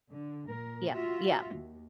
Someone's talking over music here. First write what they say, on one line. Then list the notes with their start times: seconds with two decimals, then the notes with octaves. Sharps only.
Yep, yep.
0.12 D3
0.47 A#2 A#4
0.90 F4 F#4 E5
1.55 D#2